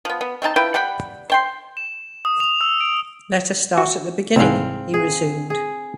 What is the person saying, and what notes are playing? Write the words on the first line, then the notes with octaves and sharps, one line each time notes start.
"Let us start at the beginning," he resumed.
F3 B3
B3
A3 C4 D#4 A5
F3 E4 B4 G5
G3 F#5 G5 B5
C5 G5 C6
E7
D#6
F7
E6
D7
F#4
C2 G#2 C4 F5
G#4
G#4